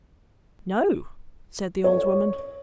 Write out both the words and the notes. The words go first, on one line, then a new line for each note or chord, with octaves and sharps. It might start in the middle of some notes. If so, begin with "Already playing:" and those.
"No," said the old woman.
C#5